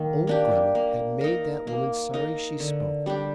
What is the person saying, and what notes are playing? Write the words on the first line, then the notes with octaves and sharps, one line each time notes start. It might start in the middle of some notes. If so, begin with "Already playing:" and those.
Old Grammont had made that woman sorry she spoke.
Already playing: D#3 A#3
A#3 D4 G4
A#3
D#4 A#4
A#3
D#4 A#4
D3
G3 D4 G4